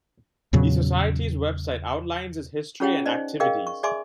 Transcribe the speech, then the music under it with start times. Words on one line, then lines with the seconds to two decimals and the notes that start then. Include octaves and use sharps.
The society's website outlines its history and activities.
0.53 E2 A#2 C#3 F#3
2.80 C#4 F4 G#4 C#5 F#5 G5
3.06 D#4 C5 D5 D#5
3.40 G#4 A#4 D#5 F5 G5
3.67 C#6
3.83 G#4 D5 E5 G#5 C6 D6